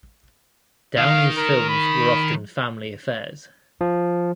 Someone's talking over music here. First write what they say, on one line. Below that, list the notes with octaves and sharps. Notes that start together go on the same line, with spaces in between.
Downey's films were often family affairs.
D#3 F5
A#4
B5
F3